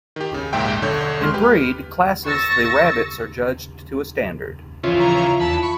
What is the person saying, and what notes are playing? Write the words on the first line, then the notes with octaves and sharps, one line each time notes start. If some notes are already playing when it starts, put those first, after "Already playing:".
In breed classes the rabbits are judged to a standard.
D#3 G4
C#3
A#1 D#2 G#2 E5 G5
B1 D3 C#5 G6
G#3 C6 F6
G4 B4
C#6 E6 A6 A#6
C#3 E3 F3 F4
A#5
E2 A5 B5
B5 C#6